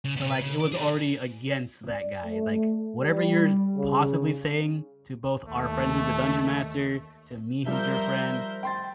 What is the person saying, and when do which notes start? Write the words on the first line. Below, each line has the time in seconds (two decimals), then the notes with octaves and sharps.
So, like, it was already against that guy, like, "Whatever you're possibly saying to both our friend who's a dungeon master, to me who's your friend,
0.05 C#3
0.16 B2 C#4
0.30 B4
0.42 C#3
0.60 D5
0.72 D4 G#4
1.89 D5
2.24 A3
3.00 G3
3.76 C#3
5.48 D#2 A3
7.66 F3 G3 A#4 C5 E5 G6
8.63 G5 C6 A6